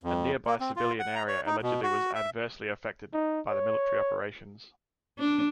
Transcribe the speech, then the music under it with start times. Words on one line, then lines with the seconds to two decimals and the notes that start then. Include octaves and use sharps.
A nearby civilian area allegedly was adversely affected by the military operations.
0.04 F2
0.46 A#3
0.60 C4
0.76 F4
0.99 F#5
1.15 A#5
1.28 C#5
1.46 D#4
1.62 B2
1.83 F#4
2.15 E5
3.14 D#4
3.50 C#5
5.18 D4